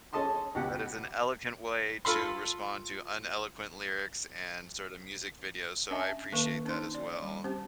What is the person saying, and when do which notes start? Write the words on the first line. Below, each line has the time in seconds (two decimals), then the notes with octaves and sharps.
That is an eloquent way to respond to uneloquent lyrics and sort of music videos, so, I appreciate that as well.
0.13 C#4 G#4 A4 D#5 A5 C6
0.55 C#2 B2 G4 F#5
2.05 F4 A4 B5 C6
5.90 C#4 D4 D#5 E5 G#5 A5
6.32 D#3 A#3 D4 B4 C#6
6.66 C#4 D#4 C5 C6
6.95 D5
7.22 G3
7.44 C4 C#4 G4 C5